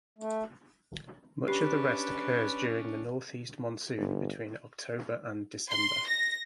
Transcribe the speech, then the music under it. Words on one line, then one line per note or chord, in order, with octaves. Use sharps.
Much of the rest occurs during the northeast monsoon between October and December.
A3
C#4 D4 G4 B4
G1
C6
A#6